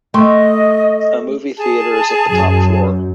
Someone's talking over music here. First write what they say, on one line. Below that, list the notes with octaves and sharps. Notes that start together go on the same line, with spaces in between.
A movie theatre is at the top floor.
A3 D#5 G5 C6 C#6
G#4 A5
F#2